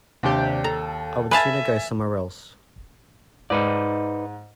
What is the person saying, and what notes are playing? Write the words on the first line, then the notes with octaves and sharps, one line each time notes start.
I would sooner go somewhere else.
D#2 C3 D4 G4
A4 A#5
B4 E5 F5 G#5 A5 A6
G#2 D#4 B4 D5